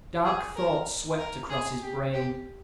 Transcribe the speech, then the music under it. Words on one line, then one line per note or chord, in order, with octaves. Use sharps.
Dark thoughts swept across his brain.
G#4
A#4
A#4
G#4
G4
G4